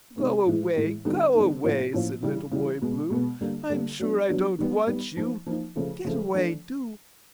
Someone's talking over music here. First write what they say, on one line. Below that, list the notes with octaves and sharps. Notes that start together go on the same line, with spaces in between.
"Go away! go away!" said Little Boy Blue; "I'm sure I don't want you--get away--do."
C3 D#3 G#3 B3
A2 E3 G#3
A2 E3 G#3
D3 G3 B3 D#4
D3 G3 B3 D#4
A2 F3 A#3 C#4 F4
A2 F3 A#3 C#4 F4
C#3 E3 G3
C#3 E3 G3
B2 G#3 B3
B2 G#3 B3
D3 G3 A#3
D3 G3 A#3
F#3 B3 D4
F#3 B3 D4
D#3 G3 B3
D#3 G3 B3
F3 A#3 D#4
F3 A#3 D#4
C#3 F3 A3
C#3 F3 A3
F3 A3 D4